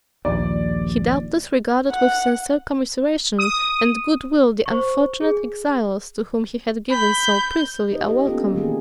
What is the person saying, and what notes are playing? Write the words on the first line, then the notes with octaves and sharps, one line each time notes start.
He doubtless regarded with sincere commiseration and good will the unfortunate exiles to whom he had given so princely a welcome.
A#1 D#2 D5
F#5
D#6
C5 C#6
G#4
B5 G6
D#4 G4 B4 D#5
G4
A#3 B3 C#4 D4 F4 A4
D#3 E3 A#3 D4 G#4 A#4